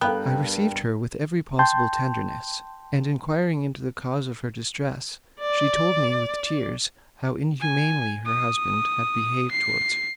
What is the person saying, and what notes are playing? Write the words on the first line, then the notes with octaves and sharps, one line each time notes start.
I received her with every possible tenderness, and inquiring into the cause of her distress, she told me with tears how inhumanly her husband had behaved towards her.
G2 B3 A4 A#4 F5 G5 F#6
G5 A5 C6 G6
D5
G#5
D#6
C7